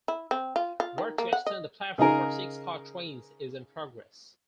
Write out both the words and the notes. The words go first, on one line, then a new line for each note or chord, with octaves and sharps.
Work to extend the platform for six-car trains is in progress.
E4
C4
F4
F4
D#3
A#3
F#5
D#5
C#3 D#4 G#4 A#4